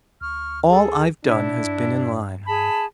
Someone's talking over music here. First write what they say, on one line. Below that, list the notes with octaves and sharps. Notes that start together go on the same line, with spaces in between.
All I've done has been in line.
D2 C#6 F6
G#4 A4
B2 D4 E4
G2
G#4 A5 B5